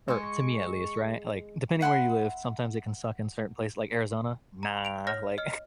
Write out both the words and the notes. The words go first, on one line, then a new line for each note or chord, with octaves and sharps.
er, to me at least, right? Like, depending where you live, sometimes it can suck in certain place- like Arizona? Nah. Like
G#3 G#5 C#6
E5 F#5 B5 C6
A#5
D7 F7
C#5 F6 A#6
D#5 F6